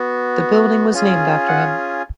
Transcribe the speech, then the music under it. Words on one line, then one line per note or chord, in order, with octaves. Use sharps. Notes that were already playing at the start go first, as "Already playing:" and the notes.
The building was named after him.
Already playing: B3 F#4
C#4 F4 G#4
F#5